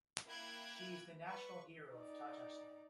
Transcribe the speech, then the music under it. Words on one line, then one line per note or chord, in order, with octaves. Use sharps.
She is the national hero of Tatarstan.
A#3 E4 G5 F#6 G#6
B4 C#6
D#4 D5